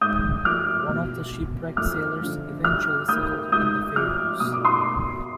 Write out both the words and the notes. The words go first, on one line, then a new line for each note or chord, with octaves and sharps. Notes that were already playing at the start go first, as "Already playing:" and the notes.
One of the shipwrecked sailors eventually settled in the Faroes.
G#2 D#6 G6
F3 D6 F6
B2
F2 D6 F6
D3 F3
G2 D6 F6
D#3 D#6 G6
G#2 D#6 G6
F3 D6 F6
B2 D#6
D6
C6 D#6